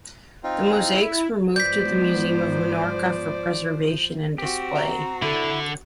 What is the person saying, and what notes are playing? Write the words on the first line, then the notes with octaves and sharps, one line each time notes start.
The mosaics were moved to the Museum of Menorca for preservation and display.
C4 D#4 F4
E4
G#2 F3 B3 C5 D5 G6 B6
C4 F#4 G4
A#5
D3 E4 A4